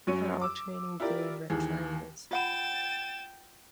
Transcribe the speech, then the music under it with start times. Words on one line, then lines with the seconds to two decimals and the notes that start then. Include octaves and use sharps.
It had alternating blue and red triangles.
0.07 F#2 F#3 C#4 C#5 D#7
0.42 D6 E6
1.00 E4 F4 G4 A#4 D5
1.50 D#2 E3 G#4
2.31 F4 F#5 G5 B5 A6 E7